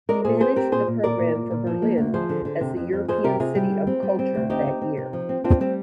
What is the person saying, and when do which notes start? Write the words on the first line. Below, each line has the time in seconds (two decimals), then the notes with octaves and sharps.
She managed the program for Berlin as the European City of Culture that year.
0.09 G#3 A#4 D5
0.25 A#2 G#4 C5
0.40 C4 G#4 C5
0.56 C4 G4 A#4
0.72 A#2 G#4 C5
0.87 A#2
1.03 A#2 A#4 D5
1.19 A#2
1.35 A#2
1.51 A#2
1.67 F3
1.82 A#3
1.98 D2
2.14 F3 G#4 C5
2.29 D3
2.45 D3
2.61 C3
2.77 F2
2.93 F2
3.08 F2 G#4 C5
3.24 C3 G4 A#4
3.40 C3 F4 G#4
3.55 G3
3.71 D3
3.87 C4
4.02 G3
4.19 C4
4.35 D2
4.50 C4 D#4 G4
4.66 C4
4.81 C4
4.97 C3
5.13 F3
5.29 C4
5.44 C4 D4 F4
5.60 G3 C4